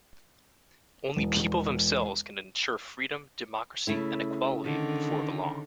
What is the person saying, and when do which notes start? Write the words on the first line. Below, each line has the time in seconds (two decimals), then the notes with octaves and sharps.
Only people themselves can ensure freedom, democracy and equality before the law.
1.16 E1
3.87 C#3 A3 E4
4.64 D3 D#3